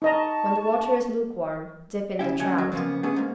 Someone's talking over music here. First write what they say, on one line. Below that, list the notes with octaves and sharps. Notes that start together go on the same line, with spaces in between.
When the water is lukewarm, dip in the trout.
D#4 D#5 A5 A#5 C#6
C#3 E4 G4
D3 F#3 C#4 G#4
F#3
F2 A#2 C#3 F3 A#3 B3
A3 B3 C#4 D4 G#4
G#2 A#3